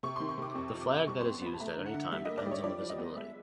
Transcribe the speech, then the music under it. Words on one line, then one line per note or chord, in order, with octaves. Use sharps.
The flag that is used at any time depends on the visibility.
C3 C#6
D#3 C6
C#6
C3 D6
F2 C#6
F3
D6
F2
G3 C#6
C6
B3
C6
B3 B5
A5
A3 A#5
D3
F#5
D3
G3 E5
A#3 D#5
D5
G3
C#5
F3 D5
F3
D#5
B3
G#3 E5